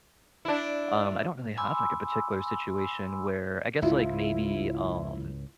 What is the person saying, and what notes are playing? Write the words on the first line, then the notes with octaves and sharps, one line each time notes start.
Um, I don't really have, like, a particular situation where I guess, like, maybe, um
D4 E4
G#5 B5 C6 D6 E6
C#2 G#2 E4 F4